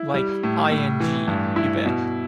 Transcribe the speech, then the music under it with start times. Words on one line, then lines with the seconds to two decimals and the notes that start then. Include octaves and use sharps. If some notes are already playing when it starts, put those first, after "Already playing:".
Like i-n-g. You bet.
Already playing: E4
0.14 G3
0.43 A2
0.72 A2
1.00 E3
1.28 G2
1.56 E4
1.85 B2